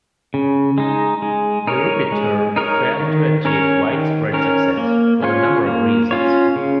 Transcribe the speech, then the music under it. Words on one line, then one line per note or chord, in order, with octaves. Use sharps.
The Ruputer failed to achieve widespread success, for a number of reasons.
C#3
G#3 D#4
G#3
D#4 A#4 C#5
G#3
D#4 A#4 C#5
D#3
C#4 A#4 C#5
D#3
C#4 A#4 C#5
A#3
C#4 F4 C#5
A#3
C#4 F4 C#5
C#3